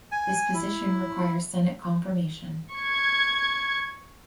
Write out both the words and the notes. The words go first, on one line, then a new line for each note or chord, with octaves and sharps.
This position requires Senate confirmation.
G#5
E4
C#6 G#6